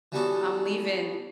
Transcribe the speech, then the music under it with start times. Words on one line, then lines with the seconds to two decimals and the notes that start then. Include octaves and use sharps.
I'm leaving
0.12 E3 G3 B3 C#4 F#4 A4